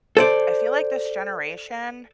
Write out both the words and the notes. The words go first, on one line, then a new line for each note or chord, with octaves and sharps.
I feel like this generation-
A4 C5 D5